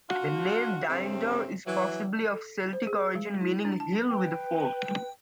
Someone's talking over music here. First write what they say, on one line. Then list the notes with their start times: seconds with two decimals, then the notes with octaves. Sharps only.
The name Dinedor is possibly of Celtic origin meaning "hill with a fort".
0.09 D4 F4 F#4
0.88 G2 C#3 A3 C4
1.66 E3 F#3
2.34 A4
2.73 C5
2.87 G#4
3.15 G#3
3.41 E4
3.65 D4
3.80 A5
4.08 B4 G5